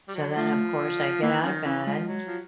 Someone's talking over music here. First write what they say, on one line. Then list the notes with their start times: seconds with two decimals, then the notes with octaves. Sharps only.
So then of course I get out of bed
0.08 G3
0.14 F#3
0.36 F3 A3
1.22 E3 A#3
1.43 D#3 C#4
1.64 E3 C#4
1.87 F3 G#3
2.08 F#3
2.27 F3